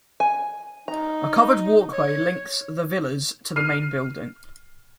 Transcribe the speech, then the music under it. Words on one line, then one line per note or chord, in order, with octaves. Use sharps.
A covered walkway links the Villas to the main building.
G#5
D#4 A#5
C#5
F6 C7 D#7